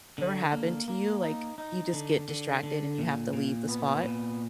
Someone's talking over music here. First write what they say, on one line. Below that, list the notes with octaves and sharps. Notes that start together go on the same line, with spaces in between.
ever happened to you? Like, you just get distracted and you have to leave the spot?
D3
A#3
A#3
D#4
D#4
D3
D3
D3
A#2
A#2
B3
A#2